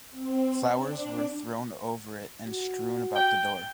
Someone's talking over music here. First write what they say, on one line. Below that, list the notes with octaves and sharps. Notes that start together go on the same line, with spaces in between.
Flowers were thrown over it and strewn about the door.
C4
D4
F#4
G5